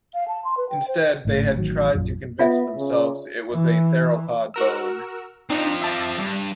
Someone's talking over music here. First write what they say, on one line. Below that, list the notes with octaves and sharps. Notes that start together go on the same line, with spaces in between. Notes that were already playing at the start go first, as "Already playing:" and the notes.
Instead they had tried to convince themselves it was a theropod bone.
F5
A5
C6
B4
G5
C5
G#1 A2 C#3
A1 D#3 F#3
A#1 F#2 C#3 F3
B3 F4 E5
C#3
E3
F#4 A#4 E6
F3 C4 D4 D#4
E5 A5 D6
G2